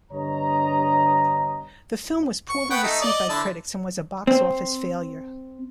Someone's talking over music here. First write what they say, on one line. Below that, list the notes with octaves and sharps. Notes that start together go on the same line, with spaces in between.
The film was poorly received by critics and was a box office failure.
G2 D3 B3 C#5 D#5 A#5
C#6
B3 F#5 G5
A3 D#4
D5 D#5
D3 E4 A5
C4